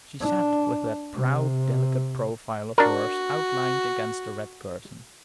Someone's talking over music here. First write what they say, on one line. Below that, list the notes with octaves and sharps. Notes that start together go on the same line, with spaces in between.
She sat with that proud, delicate profile of hers outlined against the red curtain.
D4
C3
D4 F#4 A#4